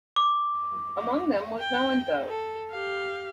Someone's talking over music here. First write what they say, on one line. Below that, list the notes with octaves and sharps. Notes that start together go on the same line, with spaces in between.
Among them was Melantho.
D6
G5
A4
G4 F5